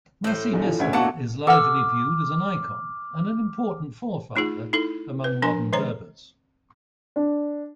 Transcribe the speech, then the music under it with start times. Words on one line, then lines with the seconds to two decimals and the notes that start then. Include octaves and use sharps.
Masinissa is largely viewed as an icon and an important forefather among modern Berbers.
0.24 A2 C5
0.52 A#1 D#2 B2
0.66 G2 E3 F3
0.80 D2 A2 C#3 E5 G#6
0.93 E2 B2 A3 A#3 D4 F#4 F#5 A5
1.47 A4 F#5 D6 F6
4.36 A3 D#4 F4 G#4
4.73 D#4 E4 A4
5.24 B4
5.42 F3 D4 A#4 G#5 C6
5.73 D#3 G#3 C5 C#5 A#5
7.16 D4